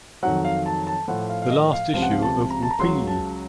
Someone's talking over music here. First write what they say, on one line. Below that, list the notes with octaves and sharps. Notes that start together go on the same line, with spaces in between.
The last issue of Whoopee!
F2 D#3 F#3 F#5
F5
A5
A5
A2 F3 F#5
F5
F5
D#5
F5
C#2 C3 F3 F5
F#5
F5
A5
A#5
A5
A#5
C#2 C#3 F#3 C6
A5